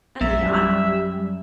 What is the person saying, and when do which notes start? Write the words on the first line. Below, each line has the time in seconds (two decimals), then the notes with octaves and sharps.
"And the yacht."
0.21 A#1 F#2 E5
0.45 G3